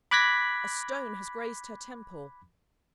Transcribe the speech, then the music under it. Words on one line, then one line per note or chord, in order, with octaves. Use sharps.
A stone has grazed her temple.
B5 D6 F#6 G#6 A#6 B6